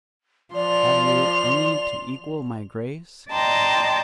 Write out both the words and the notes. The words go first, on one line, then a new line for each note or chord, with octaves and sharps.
Have you any to equal my grace?
F3 D5 C6 F7
D5 D#5 G5 A5 A#5 C6